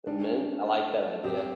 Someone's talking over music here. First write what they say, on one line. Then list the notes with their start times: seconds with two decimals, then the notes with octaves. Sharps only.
The Mint, I like that idea.
0.07 G3 D4
0.66 A3
1.24 C4 G4